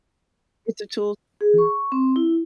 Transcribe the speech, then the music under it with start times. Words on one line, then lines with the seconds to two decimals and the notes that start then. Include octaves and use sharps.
It's a tool, mm
1.41 G#4
1.58 C#6
1.92 C4
2.16 E4